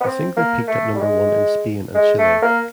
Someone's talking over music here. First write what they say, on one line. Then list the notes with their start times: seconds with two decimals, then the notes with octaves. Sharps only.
The single peaked at number one in Spain and Chile.
0.01 B3
0.05 C4
0.37 A#3
0.68 A3
0.95 G3
1.00 G#3
1.95 G#3
2.18 A3
2.42 A#3